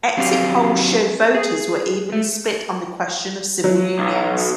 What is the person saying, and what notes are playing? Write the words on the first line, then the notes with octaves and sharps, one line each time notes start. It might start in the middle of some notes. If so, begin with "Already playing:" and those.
Exit polls showed voters were evenly split on the question of civil unions.
F#3 C4 G4 F5
G#4
A3
F#3
B1